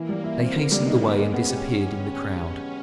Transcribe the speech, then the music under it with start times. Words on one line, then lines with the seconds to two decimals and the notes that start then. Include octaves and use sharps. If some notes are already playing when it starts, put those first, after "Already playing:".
They hastened away and disappeared in the crowd.
Already playing: E3 A#3
0.09 G3
0.24 E4
0.40 C4
0.56 D3 B3
0.72 G3
0.86 D#4
1.03 B3
1.19 G#3 C#4
1.34 B3
1.50 G4